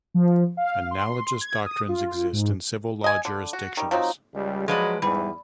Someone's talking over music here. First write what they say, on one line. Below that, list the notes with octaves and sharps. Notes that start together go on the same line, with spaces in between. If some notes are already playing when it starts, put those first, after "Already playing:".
Analogous doctrines exist in civil law jurisdictions.
F3
F5
C6
G#6
D#6
F4
G#2
D#5 G#5
D3
F#4
D#3 G3
F3 F#3 C4 D#4
C#2 G3
F3 F#3 G#3 B4 D5
E2 G#2 E3 G3